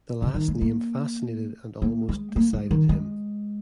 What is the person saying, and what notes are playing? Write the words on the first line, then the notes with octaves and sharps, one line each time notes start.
The last name fascinated and almost decided him.
C#3
D#3
G#3
A#3
A#3
G#3
A#3
G#3
D#3
G#3